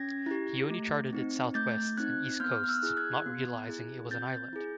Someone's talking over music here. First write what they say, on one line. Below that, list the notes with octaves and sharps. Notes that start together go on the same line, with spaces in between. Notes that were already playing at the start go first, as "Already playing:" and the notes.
He only charted its southwest and east coasts, not realizing it was an island.
Already playing: C#4 G#6 A#6
E4 G4
A3
C4 D#4
A3 G6 A6
C4 D#4 F#6 G#6
B3 F6 G6
F6
E6 F#6
E4 G#4
F#6 G#6
B3
E4 G#4
C4 G6 A6
E4 G#4